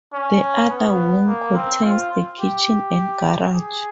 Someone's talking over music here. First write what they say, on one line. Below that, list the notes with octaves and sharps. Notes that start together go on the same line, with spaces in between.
The other wing contains the kitchen and garage.
C#4
B3
A#3
C4
F4
G4
G#4